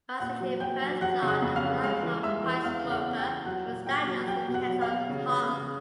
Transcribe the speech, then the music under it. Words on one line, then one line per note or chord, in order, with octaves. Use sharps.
While stationed in Perth, Chard-a lifelong pipe smoker-was diagnosed with cancer of the tongue.
A#2 F#5 F#6
F#3
F#3 G5 G6
F#3
F#3 F#5 F#6
C#3
F#5 F#6
F2
F5 F6
C#3
G#3 F5 F6
E3
G#3 E5 E6
E3
E2 F5 F6
C#3
F#5 F#6
E2
G5 G6
E2
F#3 F#5 F#6
A#2
A#2 G5 G6
F#3
F#3 G5 G6
B2
F#5 F#6
F#3
F5 F6
B2
C#3
C#3
C#3